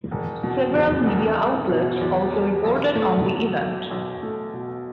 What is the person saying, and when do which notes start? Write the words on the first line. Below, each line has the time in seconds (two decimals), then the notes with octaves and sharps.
Several media outlets also reported on the event.
0.11 E1
0.43 B2
0.75 E2
1.06 E1
1.38 E1
1.70 B2
2.01 E2
2.33 E1
2.64 B1
2.96 A3
3.27 B2
3.59 B1
3.91 B1
4.23 A3
4.53 B2